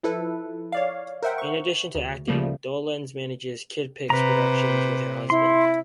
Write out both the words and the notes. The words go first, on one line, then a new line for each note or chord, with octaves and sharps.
In addition to acting, Dolenz manages KidPix Productions with her husband.
F3 E4 A4 B4
C#5 D5 F5
A#4 C5 E5 F#5 G5
C#6
D2
C#3 F3 G3 A3 A#3
C3 B4 A#5
E4 C6